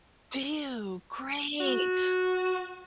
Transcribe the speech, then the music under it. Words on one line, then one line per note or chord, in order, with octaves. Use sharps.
Do you? Great!
F#4